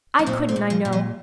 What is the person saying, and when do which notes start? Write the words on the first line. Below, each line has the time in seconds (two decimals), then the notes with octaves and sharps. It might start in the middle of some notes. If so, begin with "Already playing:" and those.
I couldn't, I know.
0.19 A#3
0.26 A#2 C4
0.49 C4
0.56 A#2
0.70 F3
0.85 A#2
0.93 F3